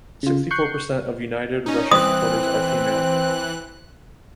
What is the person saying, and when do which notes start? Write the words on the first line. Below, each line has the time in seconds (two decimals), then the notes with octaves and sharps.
Sixty-four percent of United Russia supporters are female.
0.23 C#3 F4
0.51 C#6 F#6 G6 C7
1.66 C#4 D#4
1.91 E3 C4 D#6 F#6